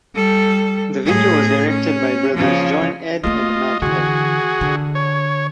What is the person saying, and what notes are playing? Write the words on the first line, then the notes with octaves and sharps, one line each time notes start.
The video was directed by brothers John Edde and Matt Edde.
G3 A4
A2 G#4
C#4
C#3 F3
A3 A#3 F4 D#5
D3 E3 F#4 G#4
D3
C#5